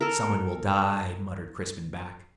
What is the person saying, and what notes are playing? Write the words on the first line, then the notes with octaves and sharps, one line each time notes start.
"Someone will die," muttered Crispin back.
A4 A#4